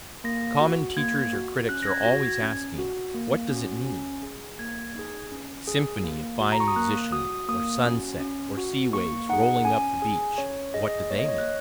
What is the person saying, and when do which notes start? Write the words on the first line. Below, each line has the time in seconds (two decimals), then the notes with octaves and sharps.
Common teachers or critics are always asking "What does it mean?" Symphony of fine musician, or sunset, or sea-waves rolling up the beach--what do they mean?
0.24 A#3 A#6
0.61 F#4
0.97 A#3 G#6
1.33 F#4
1.69 C#4 F#6
1.83 A#6
1.87 G#6
2.05 F#4 A#6
2.23 G#6
2.42 C#4
2.78 F#4
3.14 A#3
3.50 C#4 F#4
3.86 C#4
4.23 G#4
4.59 A#3 G#6
4.95 D#4 G#4
5.32 C#4
5.67 G#4
6.03 A#3
6.40 F#4
6.52 A#5
6.60 C#6
6.68 D#6
6.76 A#3 F#6
7.12 F#4 D#6
7.49 A#3 D#6
7.84 C#4 F#4
8.20 C#4
8.57 F#4
8.93 A#3 C#6
9.29 D#4 G#4 F#5
9.65 C#4 G#5
10.02 G#4 G#5
10.38 C#4 C#5
10.74 G#4 D#5
11.10 A#3 C#5
11.19 D#5
11.28 C#5
11.38 F#6